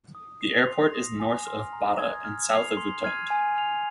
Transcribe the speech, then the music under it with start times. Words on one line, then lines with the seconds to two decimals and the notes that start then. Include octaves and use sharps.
The airport is north of Bata and south of Utonde.
0.15 D#6
0.41 C7 F7
0.67 C6
0.93 D#6 A#6
1.20 G#5
1.46 C6 F6
1.73 A#5
1.98 D#6 G#6
2.24 F6
2.52 C7 F7
2.77 C6
3.04 F6 G#6 C7 D#7
3.30 G#5
3.56 F6 C7 F7